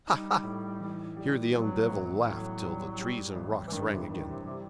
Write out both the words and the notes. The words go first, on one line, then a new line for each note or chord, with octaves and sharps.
Ha, ha!'--here the young devil laughed till the trees and rocks rang again.
G3 D#4
A2
E3
G3
F#3 B3
A1
A2 F#3
G3
G3
A1
E3
G2 D#3
C3
D#3 E3
C3
C3 G3